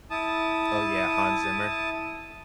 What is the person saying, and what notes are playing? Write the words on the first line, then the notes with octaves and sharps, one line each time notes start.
Oh, yeah, Hans Zimmer.
E4 A5 D#6